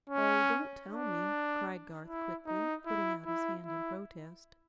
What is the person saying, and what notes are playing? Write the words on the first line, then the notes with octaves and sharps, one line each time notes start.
"Oh, don't tell me," cried Garth quickly, putting out his hand in protest.
C#4
D4
E4
D#4
E4
E4
E4